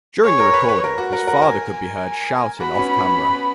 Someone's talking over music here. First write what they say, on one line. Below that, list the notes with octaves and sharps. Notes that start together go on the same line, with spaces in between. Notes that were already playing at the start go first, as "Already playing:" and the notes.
During the recording, his father could be heard shouting off-camera.
G#4 C#5
A#4
B4
B4
A#4
F#4
A#4 F#5
A#4
A#4 G#5
G#5
F#4 B5
B3
C#4
C#4
B3
B3